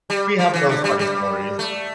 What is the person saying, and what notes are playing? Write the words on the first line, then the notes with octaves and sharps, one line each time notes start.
we have those funny stories.
G3
F3
E3
D3
G3
G3
A3